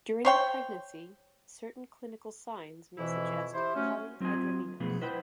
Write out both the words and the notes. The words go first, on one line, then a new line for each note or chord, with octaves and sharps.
During the pregnancy, certain clinical signs may suggest polyhydramnios.
C5 C#5 G5
F2 B2 E3 E4
E4 G4 C5
F#3 A3 C#4
F#3 C4 F4 D#5 G#5
B2 F3 A3 B3 G#4
E4 B4 C5 D#5 F#5 G5